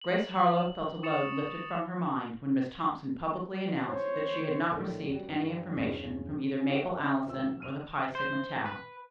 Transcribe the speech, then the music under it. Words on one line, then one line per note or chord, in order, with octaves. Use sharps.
Grace Harlowe felt a load lifted from her mind when Miss Thompson publicly announced that she had not received any information from either Mabel Allison or the Phi Sigma Tau.
F#7
C#6 D#6 A6 C#7 E7 F7
C5 C#5
A#1 A2 D3 D#3
F#2 F#3 G3
G2
E2 G2 C#3
F#4 G#5
F4 G4 C5 C#5 E5 F#5
C#4 D#4
C#2 C3 D#3 F4 C5 E6
B1 C3
F6 D#7 F7
C5
B4